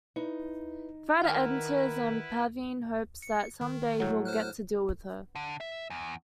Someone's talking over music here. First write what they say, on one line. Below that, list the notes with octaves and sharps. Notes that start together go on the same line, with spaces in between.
Fred enters and Pavayne hopes that some day he'll get to deal with her.
D#4 E4 B4
D#3 E4 B4 F#5 F6
C#7
D#3
A2 F#3
C5 F6 F#6
D3
E5
E2